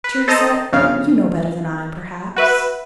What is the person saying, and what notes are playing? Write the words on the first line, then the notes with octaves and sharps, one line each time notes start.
Theresa, you know better than I, perhaps.
B4
A4 C5 D#5 A5 A#5 D#6
G1 C#3 F3 F5
F#4 B4 E5